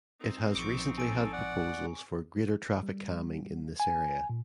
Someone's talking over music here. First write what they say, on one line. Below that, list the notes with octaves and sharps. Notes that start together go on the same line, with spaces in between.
It has recently had proposals for greater traffic calming in this area.
C4 D#4
A#1 F3 C#6 D6 C#7 D7
A4 G#5 A5 D7
D5 F#5
G3
G#5
A#2